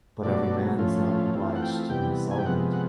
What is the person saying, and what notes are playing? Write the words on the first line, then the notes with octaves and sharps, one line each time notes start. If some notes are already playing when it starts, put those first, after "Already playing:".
But every man's not obliged to be solvent?
B2 F#3 A3 D5
A2 F3 A3 C#4 F4
E3 A3 C4 F4
F#5
G5
C3 E3 G3 B3 G5
G#5
G5
C3 F3 G#3 B3 F#5
F#5